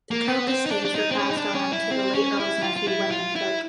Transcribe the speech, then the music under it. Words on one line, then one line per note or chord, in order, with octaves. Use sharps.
The Coke estates were passed on to the late Earl's nephew Wenman Coke.
A#3
B3
C4
D#4
D4
D4
D#4
C4
C#4
D#4
D4
C#4
E4
C4
C#4
E4
F4
F4
E4
F4
E4